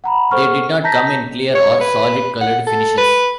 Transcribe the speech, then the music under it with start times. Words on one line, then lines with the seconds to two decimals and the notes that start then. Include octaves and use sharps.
They did not come in clear or solid colored finishes.
0.04 F#5 A#5 B5
0.31 A4 C5 F#5 C#6 F6
0.84 A5 A#5 G6 A#6 B6
1.55 C#5
1.81 B4
2.41 F#5
2.66 A4
2.97 B4